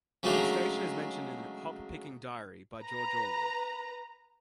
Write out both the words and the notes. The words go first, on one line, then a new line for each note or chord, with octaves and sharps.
The station is mentioned in 'Hop Picking Diary' by George Orwell.
C#3 F#3 G#3 A3 D4 D#4
B4 A#5